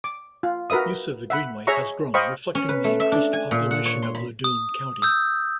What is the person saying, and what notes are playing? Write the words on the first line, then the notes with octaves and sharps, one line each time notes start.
Use of the Greenway has grown, reflecting the increased population of Loudoun County.
D6
F4
F#4 A#4 B4 E5 D#6
E5 F#5 B5
G#4 C#5 E5 A#5 C#6
C5 D#5 F5 G5 B5 C#6
C#4
B4
A3
E5
D4
G#5
A#2
F#5
C#5
C6
B5
D#6
D#6 E6 G6